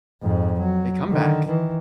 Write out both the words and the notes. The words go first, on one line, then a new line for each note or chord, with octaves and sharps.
they come back,
F2 G#2
F#3
D3 D#3
D#3 E3